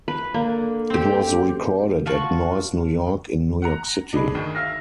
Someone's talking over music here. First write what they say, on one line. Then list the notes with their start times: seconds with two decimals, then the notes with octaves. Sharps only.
It was recorded at Noise New York in New York City.
0.08 B4
0.34 D3 A#3
0.90 C4 G4
2.06 F4 F#4 A5 C#6
3.62 F#5 A#5
4.13 D4 D#4 G#4 B5
4.35 D2 D#3
4.55 E5 F5 F6 A#6